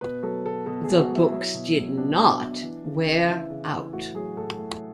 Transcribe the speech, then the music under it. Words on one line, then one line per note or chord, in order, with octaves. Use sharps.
The books did not wear out.
B2 B4
F#3 A4
B2 A4
B2 A4
G#4
F#3
F#4
F#3
E4
F#3 E4
B2
F#3
B2 D4
F#3
B2
E3
C#3
C#3
E3 E4
C#3
E3
A2 F#4
F#3 G#4
A2 A4
A2